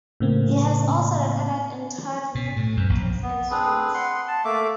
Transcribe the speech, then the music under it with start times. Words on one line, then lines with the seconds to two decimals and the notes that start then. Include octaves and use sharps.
He has also recorded and toured with Foetus and Swans.
0.20 A2 C#3 A#3 C4
2.35 B2
2.56 A2
2.77 F#2
2.90 A#1
3.23 B3
3.51 C4 D4 G#4 B4
3.94 F#5 C6
4.28 A5
4.45 A3 A#3 E5 D6